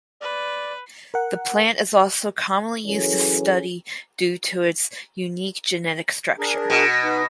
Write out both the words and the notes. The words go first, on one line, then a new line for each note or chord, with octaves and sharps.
The plant is also commonly used to study due to its unique genetic structure.
B4 D5
A#4 F#5
E3 F#3 C#4 G#4 A4 C#5
D4 G#4 A#4
B2
D#4 B4